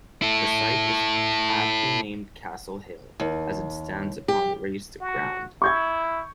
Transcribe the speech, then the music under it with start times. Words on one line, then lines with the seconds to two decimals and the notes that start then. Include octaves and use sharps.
The site is aptly named Castle Hill, as it stands upon raised ground.
0.22 E4 A4
3.20 D#2
4.28 G4
5.01 F#4
5.62 E4 C#6 G6 G#6